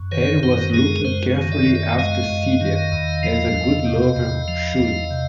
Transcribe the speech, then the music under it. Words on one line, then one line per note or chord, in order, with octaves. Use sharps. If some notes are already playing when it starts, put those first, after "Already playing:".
Harry was looking carefully after Celia, as a good lover should.
Already playing: F#2
D#3 B4 C#5
F#2 A#4 C5
G#3 G#4 A#4
F#2 A#4 C5
D#3
D5 E5
F#2
D5 E5
G#3 D#5 F5
F#2
D#3
E2
F3
E2
C3
E2
F3
E2
C3